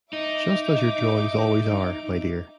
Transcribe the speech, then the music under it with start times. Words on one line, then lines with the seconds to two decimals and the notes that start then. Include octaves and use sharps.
Just as your drawings always are, my dear.
0.13 D#4 E5 D6